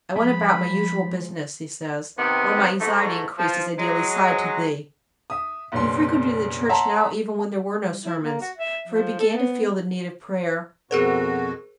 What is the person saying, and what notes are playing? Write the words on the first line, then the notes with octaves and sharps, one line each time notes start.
"I went about my usual business," he says, "while my anxiety increased as I daily sighed to Thee." He frequented the Church now even when there were no sermons, for he began to feel the need of prayer.
F3 G#3 B5
C3 D#3 B3
G#2 A3
F3
F#3 G#3
E5 D#6
F#1 B2 C#4 D4 C6
C#5 E5 F#5 A5 A#5 C6
G3
E4
A#3
F#4
E5
F3
A4
B3
F2 B2 F#4 G#4 A#4 C5